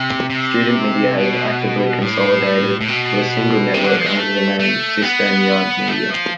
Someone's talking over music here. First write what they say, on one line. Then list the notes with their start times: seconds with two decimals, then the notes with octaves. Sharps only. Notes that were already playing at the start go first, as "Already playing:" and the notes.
Student media has actively consolidated to a single network under the name CisternYard Media.
Already playing: C3
0.30 C3
1.16 B2
2.02 A2
2.81 A2
2.88 B2
3.74 C3
3.84 D3
3.95 F3
4.06 G#3
4.16 A3
4.59 A3
5.02 B3
5.88 A3
6.10 F3